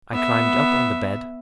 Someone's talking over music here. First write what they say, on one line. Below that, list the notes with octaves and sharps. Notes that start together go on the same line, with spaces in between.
I climbed up on the bed.
B3 E5